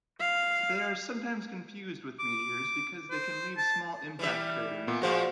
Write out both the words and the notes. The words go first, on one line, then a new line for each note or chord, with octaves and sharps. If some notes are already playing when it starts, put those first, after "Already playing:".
They are sometimes confused with meteors because they can leave small impact craters.
F5
D6
C5
A5
E3 G3 E5
A#2 B3
A#2 F3 G#3 F#4 C5 F5